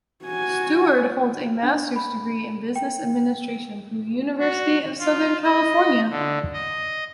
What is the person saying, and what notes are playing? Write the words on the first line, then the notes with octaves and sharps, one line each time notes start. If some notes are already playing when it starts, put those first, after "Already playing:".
Seward holds a master's degree in business administration from the University of Southern California.
F#4 G#5
D4
B5
G5
F#4
F4
D#5
D3
D#5